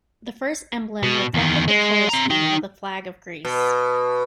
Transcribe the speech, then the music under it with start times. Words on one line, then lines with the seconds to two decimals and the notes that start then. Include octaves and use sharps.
The first emblem reflected the colour scheme of the Flag of Greece.
1.03 B2
1.34 E2 D#3
1.68 G#3
2.09 C4 A#5
2.30 D#4 G5
3.45 B2